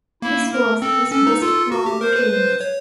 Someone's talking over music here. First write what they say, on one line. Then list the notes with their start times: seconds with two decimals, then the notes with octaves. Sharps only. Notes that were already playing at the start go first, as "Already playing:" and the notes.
This was his best-known remix.
0.22 A#3 E4
0.52 A#4
0.81 C4 A4
1.11 C#4 A4
1.27 D#4
1.41 F4 A4
1.72 F#4
1.86 G4
2.01 A#4 C5
2.16 B4
2.32 C5
2.61 C#5